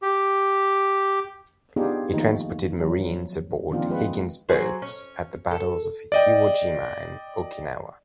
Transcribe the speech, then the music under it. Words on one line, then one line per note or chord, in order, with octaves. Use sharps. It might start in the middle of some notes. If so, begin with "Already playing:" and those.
He transported Marines aboard Higgins boats at the battles of Iwo Jima and Okinawa.
G4
B3 D4 D#4 F4 G4 G#4
D#3 F3 A3 A#3 D#4
F#3
F3
D#3 F3 A#3 C4 D4 F4
F3 G#3 B4
F#3 G#4 C5
C#4
A4
D5 D#5 G5